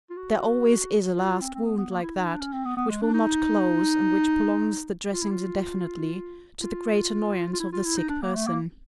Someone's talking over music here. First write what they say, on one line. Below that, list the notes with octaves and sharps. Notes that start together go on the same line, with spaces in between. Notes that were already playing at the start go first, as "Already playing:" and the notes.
There always is a last wound like that which will not close, and which prolongs the dressings indefinitely, to the great annoyance of the sick person.
F4
F#4
F4
C4
C4
B3
B3
A#3
E4
D#4
D4
C#4
C4
B3
B3
G#3
D4
D#4
F4
E4
F4
F4
F4
E4
F4
E4
D#4
D4
A#3
A3
A#3